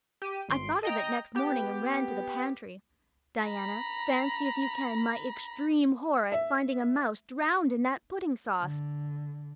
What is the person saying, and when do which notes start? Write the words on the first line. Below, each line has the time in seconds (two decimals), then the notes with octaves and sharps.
I thought of it next morning and ran to the pantry. Diana, fancy if you can my extreme horror at finding a mouse drowned in that pudding sauce!
0.22 G4 D#7
0.49 G#1 C6 D7
0.83 D#5 G5 A#5
1.35 B3 G4
3.44 A#5 B5
6.32 E5
8.62 D3